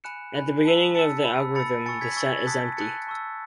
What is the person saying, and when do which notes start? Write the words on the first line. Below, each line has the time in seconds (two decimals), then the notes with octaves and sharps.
At the beginning of the algorithm, the set is empty.
0.04 G#5 B5 F#6 C#7 E7
0.35 G#5 B5 F#6
0.65 A5 E6 B6 D#7
0.95 A5 E6 A6 C#7
1.25 B5 E6
1.55 B5 E6 A6 C#7
1.86 G#5 C#6 E6 A6 C#7
2.01 G#6 B6
2.16 G#5 C#6 E6 A6
2.27 G#6
2.37 A6
2.47 A5 D#6 F#6 G#6 B6
2.77 A5 D#6 F#6 A6 C#7
3.07 A5 C#6 E6